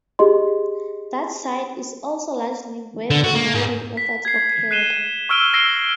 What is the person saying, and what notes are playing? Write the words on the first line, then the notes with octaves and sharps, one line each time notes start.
That site is also largely where the modding efforts occurred.
G4 G#4 D#5 C6
D3
F#4
A#3
G#2
B6
G#6 C7
F#6 C7 D#7 E7 G7
C#6 E6 F6 D7 D#7 G7
E6 A#6 C7 D7 G7